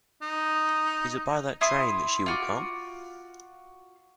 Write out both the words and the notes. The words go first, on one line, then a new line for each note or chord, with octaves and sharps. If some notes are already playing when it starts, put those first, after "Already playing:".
Is it by that train that she will come?
D#4
E4 C6 D#6
F4 F#4 D6